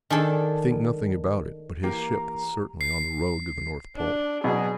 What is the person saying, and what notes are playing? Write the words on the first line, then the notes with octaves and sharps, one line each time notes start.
"I think nothing about it, but his ship is certainly on the road to the North Pole."
D#3 D4 G#4 A4
E3 A#3 G4 A#5
C7
D4
B2 F#3 G#4